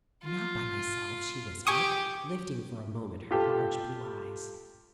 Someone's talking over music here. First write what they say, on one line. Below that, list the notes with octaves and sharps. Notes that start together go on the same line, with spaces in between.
"Not by myself," she whispered, lifting for a moment her large blue eyes.
F4
G4 G#5 C#6 D#6
F4 G4 A4